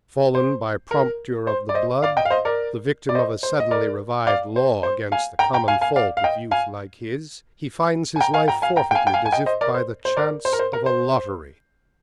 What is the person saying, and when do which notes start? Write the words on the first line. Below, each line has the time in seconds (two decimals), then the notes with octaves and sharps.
Fallen by "prompture of the blood," the victim of a suddenly revived law against the common fault of youth like his, he finds his life forfeited as if by the chance of a lottery.
0.35 C5
0.91 A#4
1.47 C5
1.69 D5
1.74 C5 D#5
2.02 D5 F5
2.17 D#5 G5
2.25 F5
2.30 C5 D#5
2.45 A#4 D5
3.09 D5
3.15 C5 D#5
3.43 C5
3.60 D#5
3.71 A#4 D5
4.27 D5 F5
4.56 C5
4.83 C5
5.12 F5 G#5
5.39 G5 A#5
5.53 G5 A#5
5.68 F5 G#5
5.81 F5 G#5
5.96 D5 F5
6.17 F5
6.24 D#5 G5
6.51 F5 G#5
8.16 G#5
8.21 G5 A#5
8.34 F5 G#5
8.48 G5 A#5
8.62 F5 G#5
8.76 G5 A#5
8.91 G5
8.95 F5 G#5
9.07 G5
9.14 F5 G#5
9.26 G#5
9.33 D#5 G5
9.46 C5 D#5
9.61 A#4 D5
9.74 C5
10.05 C5
10.17 A#4 D5
10.45 C5
10.53 A#4
10.59 C5
10.73 A#4
10.86 C5